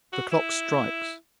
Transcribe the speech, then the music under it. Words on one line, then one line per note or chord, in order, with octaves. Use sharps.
The clock strikes!
F#4
E4